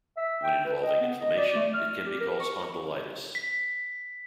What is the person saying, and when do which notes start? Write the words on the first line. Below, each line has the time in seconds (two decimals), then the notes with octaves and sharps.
When involving inflammation, it can be called spondylitis.
0.17 E5
0.43 G5
0.65 B4
0.82 D#5
1.01 B3
1.20 D#5
1.37 D5
1.56 A3
1.74 F6
2.05 G4
2.20 A#4
2.40 C#6
3.35 B6